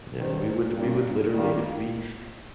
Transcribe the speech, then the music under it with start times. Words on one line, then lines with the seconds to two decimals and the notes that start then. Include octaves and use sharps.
Yeah, we would we would literally if we
0.18 D#3 G3 C#4 G4 C5
0.76 G2 G3 A#3 C#4
1.32 D#3 G3 A#3